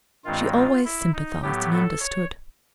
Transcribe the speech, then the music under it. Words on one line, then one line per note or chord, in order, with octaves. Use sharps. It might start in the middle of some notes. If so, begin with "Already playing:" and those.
She always sympathized and understood.
G2 D#3 G#3 C4 F4
F4
E4
D#4
A2 F#3 B3 G4
A4
C#5